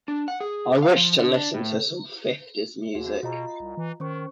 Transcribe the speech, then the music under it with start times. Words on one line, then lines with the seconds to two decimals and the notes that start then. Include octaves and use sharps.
I wish to listen to some fifties music.
0.08 D4
0.28 F#5
0.40 G#4
0.83 F5
0.96 F3
1.18 D3
1.34 D4
1.54 A2
2.95 D#2 F#4 G#4
3.23 B2 F4 D#5 A#5
3.60 C2
3.77 E3
4.00 D#3 C#4 C5 C#6